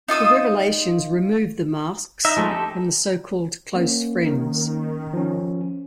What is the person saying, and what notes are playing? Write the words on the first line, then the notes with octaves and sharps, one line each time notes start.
The revelations remove the masks from the so-called close friends.
D#4 F4 D#6 E6
D#4 D#5 E5
F3 G#3 A3
G4 A4
A#3 C#4
D#3
F3 C#4